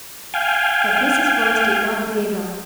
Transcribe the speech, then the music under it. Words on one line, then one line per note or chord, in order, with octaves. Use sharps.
But Mrs. Boyce did not waver.
F5 G5 G#5